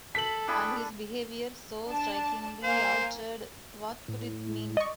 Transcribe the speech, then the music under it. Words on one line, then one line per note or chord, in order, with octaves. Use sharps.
And his behaviour, so strikingly altered — what could it mean?
A4 B6 F#7
D4 E4 G#4 G5 G#5 B5
D4 A5
A#3 C5 F5 G#5
A2
D5 D#5 C#6